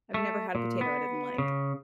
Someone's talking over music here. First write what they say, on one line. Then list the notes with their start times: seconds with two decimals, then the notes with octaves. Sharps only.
I've never had a potato I didn't like.
0.14 A3
0.55 A#2
0.81 B3
1.38 C#3